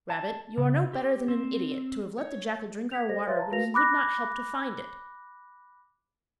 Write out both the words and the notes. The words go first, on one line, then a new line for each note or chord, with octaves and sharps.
'Rabbit, you are no better than an idiot to have let the jackal drink our water when he would not help to find it.
A5
C#3
G4
C4
C#5
G#6 B6 F7
A4 C5 D#5 A#6
B4 C#5 E5 F5 C6 A6
A5 A#5
F#4 A#4 B4 F5 A#6 F7
B5 D6 F#6 A#6